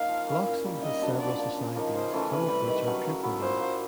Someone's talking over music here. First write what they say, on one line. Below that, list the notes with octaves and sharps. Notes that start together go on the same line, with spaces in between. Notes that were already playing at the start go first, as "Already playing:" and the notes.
Bloxham has several societies, some of which are pupil-run.
Already playing: A#3 D#4 F5
F3
A#3 C#4 E4
A#2
G3 A#3
D#3 D#5
F#3 B3 D4
F3 D5
A#3 D4
C#3
F3 A#3 D#4
C#3 C5
E3 A3 C#4
C3 B4
E3 G3
D#3
F#3 A3 C#4
C#3
F#3 B3 E4
A#2 C5
F#3 A#3